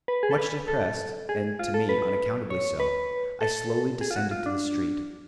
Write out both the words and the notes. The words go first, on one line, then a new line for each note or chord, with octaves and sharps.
Much depressed, and, to me, unaccountably so, I slowly descended to the street.
B4
G#4
A4
B4
A4
G#4
F4
A4
B4
C#5
B4
A4
G#4
F4
F#4
F4
D4